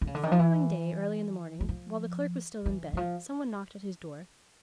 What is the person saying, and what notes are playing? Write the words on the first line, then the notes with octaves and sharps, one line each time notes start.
The following day, early in the morning, while the Clerk was still in bed, someone knocked at his door.
D3
C#3
D3
D#3
F3
E3
F#3
F3
E3
E3
F3